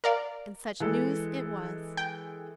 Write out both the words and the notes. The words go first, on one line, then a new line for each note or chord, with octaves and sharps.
And such news it was!
A#4 D5 F5
E3 G#3 A4
G5